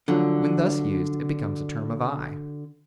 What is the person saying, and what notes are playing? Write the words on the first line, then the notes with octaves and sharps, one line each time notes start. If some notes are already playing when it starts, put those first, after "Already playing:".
When thus used it becomes a term of eye.
D3 F3 F#3